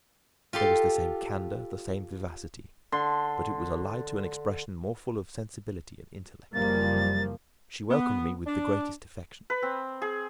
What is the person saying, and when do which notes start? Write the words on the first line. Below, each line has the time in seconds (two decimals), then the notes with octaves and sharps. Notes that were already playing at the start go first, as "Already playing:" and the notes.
There was the same candour, the same vivacity, but it was allied to an expression more full of sensibility and intellect. She welcomed me with the greatest affection.
0.53 F4 G4 A4 C6
2.92 D3 C6
6.54 F#1 F3 G3 A#3 A6
7.91 B3
8.46 D4
9.50 B4
9.63 C4
10.02 G#4